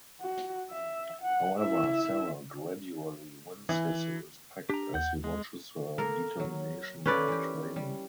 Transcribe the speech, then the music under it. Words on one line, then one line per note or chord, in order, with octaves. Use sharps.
However Sarah gradually wins his respect as he watches her determination while training.
F#4
E5
F#5
E4 E5
E3
D4 G4 A#5
D#2 F#5 G6
G#3
A#3 A4 A#4
F#3
A#3 C#4 D#4 A4 B4 D5
E3 G4
G3